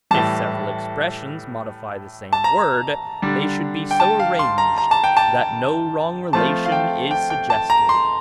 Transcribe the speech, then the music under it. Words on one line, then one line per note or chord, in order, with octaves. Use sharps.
If several expressions modify the same word, they should be so arranged that no wrong relation is suggested.
A2 E3 G3 A5
A5
A#5
D3 G3 D4
G5
A5
F5
C6
A#5
A#5
A5
G5
A5
F3 A3 C4 F4 A5
F5
G5
G5
G5
A5
A#5
C6